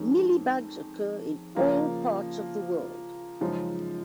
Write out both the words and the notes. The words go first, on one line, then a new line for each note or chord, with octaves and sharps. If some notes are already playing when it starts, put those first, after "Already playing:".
Mealybugs occur in all parts of the world.
Already playing: F2 D#3 G#3 C#4
C#3 F3 A#3 F4
F#2 C#3 F3 G#3 D#4